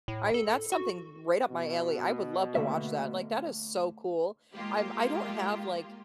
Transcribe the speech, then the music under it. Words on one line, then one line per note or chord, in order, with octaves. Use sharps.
I mean, that's something right up my alley. I would love to watch that. Like, that is so cool. I'm I don't have, like
A2
A4
F#4
B2
D3 A3 A#3 E5
G#3 A#3 F4 G4